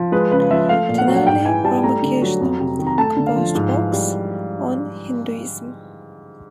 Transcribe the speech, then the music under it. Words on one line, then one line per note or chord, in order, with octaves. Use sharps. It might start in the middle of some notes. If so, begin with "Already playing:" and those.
Tenali Ramakrishna composed works on Hinduism.
Already playing: F3
G#3 B4
C#3 B4
F3 E5
A3 F5
A#2
F#5
F#3
F#5
G#2 G5
E3 G#5
G3 A5
A3 A#5
D3
F#3
F2
C3
D#3
A#5
A3 A5
D3
F5
F3
G#2
E3
G3